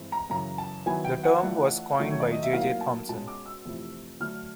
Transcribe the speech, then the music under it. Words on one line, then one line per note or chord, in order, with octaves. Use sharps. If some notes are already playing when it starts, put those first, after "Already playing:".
The term was coined by J. J. Thomson.
Already playing: G2 E3 G#3 C4
A#5
F#2 C#3 E3 A#5
A5
D#3 F#3 B3 E4 G#5
G5
F#5
E3 A3 D4 F4
D#3 F#3 A3 C#4
C#5
D5
D#5
E5
A2 F#3 A#3 D#4 F5
A5
B2 G#3 C#4 A5
D6
E6
F2 C3 E3 A3 C4
D3 F#3 A3 D4 F6